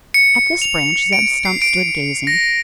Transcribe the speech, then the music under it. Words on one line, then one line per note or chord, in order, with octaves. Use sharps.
At this branch Zeb Stump stood gazing.
C#7
F7
D7
C7
D7
A#6